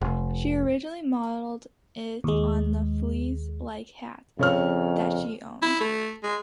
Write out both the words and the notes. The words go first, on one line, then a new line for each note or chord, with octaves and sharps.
She originally modeled it on a fez-like hat that she owned.
F1
D#2 G#3
F2 C#3 C#5 F6
E4
A3
G#3